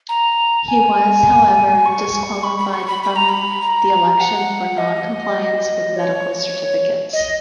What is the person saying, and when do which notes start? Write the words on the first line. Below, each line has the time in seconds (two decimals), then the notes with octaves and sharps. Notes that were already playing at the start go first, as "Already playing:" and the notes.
He was, however, disqualified from the election for non-compliance with medical certificates.
0.08 A#5
0.68 G#5
1.85 C#6
2.43 B5
2.58 B5
2.73 C#6
2.88 B5
3.03 B5
3.15 A#5
3.28 B5
3.61 A#5
4.20 F#5
4.77 D#5
5.96 C#5
7.13 D#5